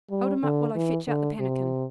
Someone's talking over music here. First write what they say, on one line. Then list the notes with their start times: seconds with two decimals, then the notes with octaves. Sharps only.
'Hold him up while I fetch out the pannikin.
0.11 G3
0.43 D3
0.75 E3
1.07 D3
1.39 C3